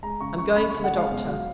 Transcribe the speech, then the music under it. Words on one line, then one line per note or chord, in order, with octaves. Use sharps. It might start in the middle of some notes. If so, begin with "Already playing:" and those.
I am going for the doctor.'
G#3 A#5
C#3 C#6
C#3 C#6
C#4 B5
C#6
C#3
F#5
G#3 F5
B2
F#3